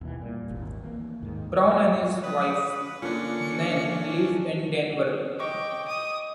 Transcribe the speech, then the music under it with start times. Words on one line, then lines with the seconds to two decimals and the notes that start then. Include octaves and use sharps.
Brown and his wife, Nan, live in Denver.
0.01 D#2 B2 E3
0.22 A#2 G3
0.50 G#1 D#2
0.84 D#3 E3 A#3
1.22 D#2 G#2 D#3
2.24 B4 D#6
3.02 D3 A#3 C#4 D4 F4 F#6 C#7
5.39 D#5 G5 C#6 D6
5.88 D#6